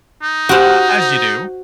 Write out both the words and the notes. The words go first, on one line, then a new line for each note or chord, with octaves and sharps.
uh, as you do,
D#4
F#4 G4 C5 F#6